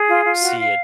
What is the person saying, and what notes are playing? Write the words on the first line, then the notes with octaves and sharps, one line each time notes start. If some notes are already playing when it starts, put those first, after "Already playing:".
see it
Already playing: G#4
F4
F4
F#4
F5